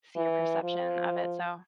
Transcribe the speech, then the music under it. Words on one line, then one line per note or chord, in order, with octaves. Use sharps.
see your perception of it, so I
E3
F3